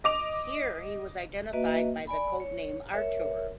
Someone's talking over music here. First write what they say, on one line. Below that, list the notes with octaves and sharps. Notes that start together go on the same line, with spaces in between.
Here he was identified by the code name "Artur".
D#5 D6 F7
A#3 F#4 B4 D#5 E5
D5 G#5 B5
C#5
A#4 C#5 E5